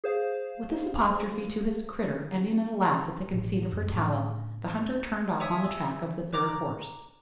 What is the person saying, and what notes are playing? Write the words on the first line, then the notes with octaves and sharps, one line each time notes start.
With this apostrophe to his "critter," ending in a laugh at the conceit of her "tallow," the hunter turned off on the track of the third horse.
G#4 C5 F5
A1 B2
B1 F#2
A2 C#4 D4
C#5 E5 G#5 D#6
A#5 D6 F#6